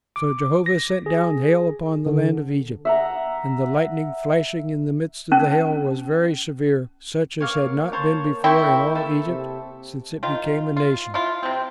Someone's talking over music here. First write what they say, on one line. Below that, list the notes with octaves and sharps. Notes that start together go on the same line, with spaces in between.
So Jehovah sent down hail upon the land of Egypt, and the lightning flashing in the midst of the hail was very severe, such as had not been before in all Egypt since it became a nation.
D6
A#6
G#4
D3
E5 F#5 A#5
C#4
A#3 C#5 F5 D6
C5 C#5 A5
C4 E4 G5 C6 C#6
A4 E5
C3
D#3 F4
F4
E4 F4
C3 C4